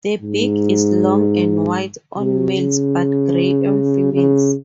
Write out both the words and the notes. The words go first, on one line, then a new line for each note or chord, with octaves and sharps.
The beak is long and white on males but grey on females.
G#2
C3
C#3
C#3